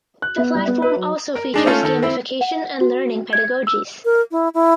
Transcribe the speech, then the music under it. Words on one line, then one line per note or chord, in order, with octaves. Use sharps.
The platform also features gamification and learning pedagogies.
F#6
B3
G3
B3
B4
F#3
A#4
G#3 D4 D#4
A3 C#4 F4 A4
D#3 A4
C4 E4
F#5
F#4
G#6
E6
A#4
E4
E4